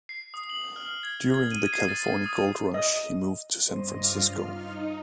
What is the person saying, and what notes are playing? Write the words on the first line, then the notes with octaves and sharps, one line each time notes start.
During the California Gold Rush he moved to San Francisco.
C7
D#6
F#7
F6
G#6
G#6
D#7
C7
A6
D#6
D#5
G2 C#3 C5 D#5
F4 D6 F6
D#4